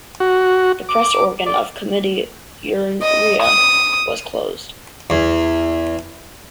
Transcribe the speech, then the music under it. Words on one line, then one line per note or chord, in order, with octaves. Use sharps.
The press organ of the Committee, "Unirea" was closed.
F#4
D6
D5
D#5
D#6
E2